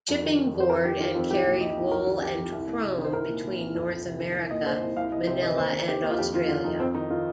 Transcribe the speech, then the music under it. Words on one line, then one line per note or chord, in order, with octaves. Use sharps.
Shipping Board and carried wool and chrome between North America, Manila and Australia.
F2
D#3
D#3
F2
C5
F2 A#4
D#3 G4
D#3 F4
F2 C4
C2 G4
A#2
A#2 D#5
C2
F2 A#4
D#3
D#3 G4
F2
C2
C2
C3
D#3
C5
C2 A#4
A#2
A#2
C2
F2
F2
C3
D#3
C2
A#2 D#5
A#2 C5
C2
C2 F5
C2 D#5
C3 C5
D#3 D#5
D#2 C5
D#3
D#3 G4
D#2
F4
F2 G4
D#3 F4
D#3 F4
F2 D#4
F2 C4
D#3 D#4
D#3 F4